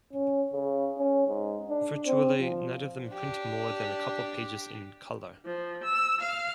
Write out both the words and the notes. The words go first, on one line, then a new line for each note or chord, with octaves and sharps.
Virtually none of them print more than a couple of pages in colour.
C#4
C#3
C#4
G#2
D4
C4
F3
D4 G4
F3
E6
F5